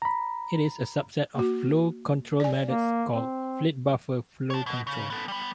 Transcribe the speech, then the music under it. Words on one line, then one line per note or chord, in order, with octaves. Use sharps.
It is a subset of flow control methods called Flit-Buffer Flow Control.
A#5 B5
A#3 F#4
D5 G#5
A#3
C4
C#5 A5
B2
C#3
B3 A4
G3 B3